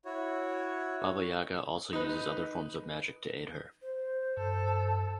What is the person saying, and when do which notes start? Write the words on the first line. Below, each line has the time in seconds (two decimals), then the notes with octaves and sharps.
Baba Yaga also uses other forms of magic to aid her.
0.05 E4 F#4 C#5
1.93 D#4 B4
3.82 C5
4.37 G2 A4